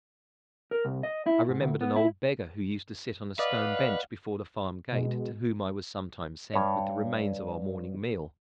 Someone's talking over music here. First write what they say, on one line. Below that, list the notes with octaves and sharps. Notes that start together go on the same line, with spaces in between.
I remembered an old beggar who used to sit on a stone bench before the farm gate, to whom I was sometimes sent with the remains of our morning meal.
A#4
C2
D#5
E4
G#2
D2
B3
E4
B4 D5 D#5 F5 F#5
B2 G#3
G2 C#5